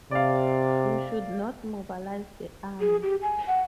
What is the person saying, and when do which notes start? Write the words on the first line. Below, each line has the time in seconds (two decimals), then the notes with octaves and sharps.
You should not mobilise the army.
0.11 C3 D5 F5
2.80 G#4
3.03 G4
3.22 G#5
3.47 F#5